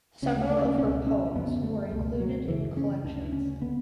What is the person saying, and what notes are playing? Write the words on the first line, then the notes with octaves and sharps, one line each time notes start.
Several of her poems were included in collections.
D2 C#3 C#4
A3
A3
C#4
C#2 B2 C#4
C#4
F#2 D3 B3
A3
C#2 B2 A3
F#3
F#2 C#3 E3
C#4
D2 C#3 D4
C#4
D3 B3